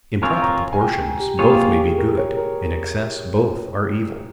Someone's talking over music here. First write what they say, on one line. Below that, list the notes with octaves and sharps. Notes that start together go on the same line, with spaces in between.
In proper proportions both may be good, in excess both are evil.
C4 F4 A#4 C#5 G#5
A#5
G#5
G5
G4
A#3 F4 G4 G#4 C#5
G4
G#4
A#4
C#5
A#4